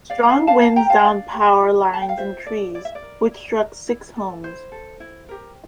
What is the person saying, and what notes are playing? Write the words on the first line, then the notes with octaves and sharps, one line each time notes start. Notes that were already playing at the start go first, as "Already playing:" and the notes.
Strong winds downed power lines and trees, which struck six homes.
D5 F5
A#4 A#5
F5 A5
D4 F5 A5
F5 A5
G4 A#4 G5 A#5
F5 A5
G5
D4 D5 F5
G4 A#4
F4
A4 A5
G5
F5
F4 C5 E5
A4 D5
E4 D5
E5
D5
A#4
E4
A#4
E4
A4
E4 C5
A4
E4
G4 A#4